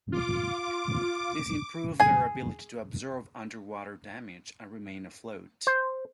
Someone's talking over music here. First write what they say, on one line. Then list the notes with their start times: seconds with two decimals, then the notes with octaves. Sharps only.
This improved their ability to absorb underwater damage and remain afloat.
0.12 F4 D6
2.00 G#4 G#5
5.67 C5